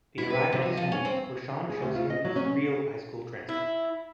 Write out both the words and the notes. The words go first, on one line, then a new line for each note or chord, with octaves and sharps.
They arrive at his home, where Shaun shows him his real high school transcript.
E4
B4
C3
D#5
F3
C#4
C4
G#4
D2
F4
D#5
F#3
C#4
E4